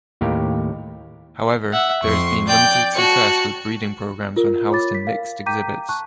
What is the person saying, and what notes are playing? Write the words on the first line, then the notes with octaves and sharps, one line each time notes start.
However, there has been limited success with breeding programs when housed in mixed exhibits.
D#2 A2 G4 A#4 F5
E5 F#5
F2 C6 C#6
D5 G5 G6
F#4 A5 C#7
F4 A#4
F4 C#5 B5 D6 A6
B6
A#4 F5
G5 A#5 D6 G6 B6 D#7
A5 C#6 F#6